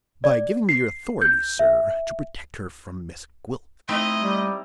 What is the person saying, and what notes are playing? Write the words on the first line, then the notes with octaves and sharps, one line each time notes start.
"By giving me your authority, sir, to protect her from Miss Gwilt."
D5
C7
G6
E5
A3 C4 D#4 E4 D#5
G3